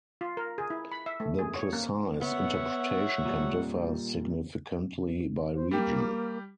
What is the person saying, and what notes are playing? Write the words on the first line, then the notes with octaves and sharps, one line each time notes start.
The precise interpretation can differ significantly by region.
F4
A#4
G#4
E4
B5
E5
A3
G#4
C#5
A#3
B3 C#5 E5 F#5
A#2 G3
C5
G3 A#3 G4